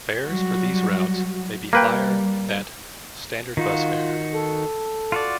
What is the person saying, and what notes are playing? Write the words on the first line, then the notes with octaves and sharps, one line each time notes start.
Fares for these routes may be higher that standard bus fare.
F#3 G3 F#4
G3 A#3 B4 G5
D#3 D#4 F4 F#4
A4
F4 F#4 D5